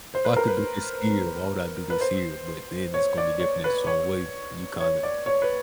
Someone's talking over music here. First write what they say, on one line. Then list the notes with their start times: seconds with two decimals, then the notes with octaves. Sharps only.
if I could do this here, why would I do this here? But then it's gonna be different in its own way, and you kinda
0.15 C5
0.25 B4
0.37 A#4
0.47 B4
1.90 B4
2.01 C5
2.94 C#5
3.18 D5
3.40 C#5
3.64 B4
3.87 C#5
4.80 C#5
5.03 D5
5.26 C#5
5.42 B4